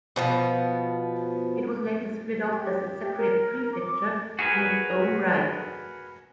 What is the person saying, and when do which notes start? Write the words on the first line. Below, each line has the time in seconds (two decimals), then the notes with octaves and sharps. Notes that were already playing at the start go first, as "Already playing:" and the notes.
It was later split off as a separate prefecture in its own right.
0.16 B2 F3 B3
2.46 G4
2.98 G4
3.17 A#4
3.74 D6
4.39 F#4 G#4 A#4 B4 G#5